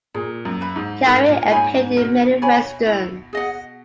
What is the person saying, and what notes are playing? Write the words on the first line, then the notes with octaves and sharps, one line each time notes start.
Carey appeared in many Westerns.
A#2 G#4
F#2
B4 E5 B5
G#2
G#2 A#4
A#2
G#2 C#5 G#5 B5
G#2
B2 A#4
C#5 G#5 B5
E4
G#4 D#5 F#5